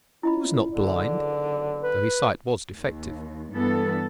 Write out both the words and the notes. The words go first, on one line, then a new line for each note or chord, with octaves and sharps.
He was not blind, though his sight was defective.
C#4 E4 F4 D#5 B5
F#1 B1 D3 D5
B4
D#2
G2 E3 B3 A4